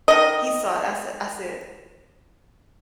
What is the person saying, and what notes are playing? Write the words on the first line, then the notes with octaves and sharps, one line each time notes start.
he saw it, I said I said
D#3 D#5